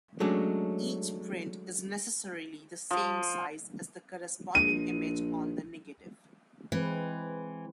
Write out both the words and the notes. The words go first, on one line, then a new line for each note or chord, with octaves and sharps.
Each print is necessarily the same size as the corresponding image on the negative.
F#3 G#3 A3 C#4 D4
F3
A#1 D#7
E3 G#3 C4 B4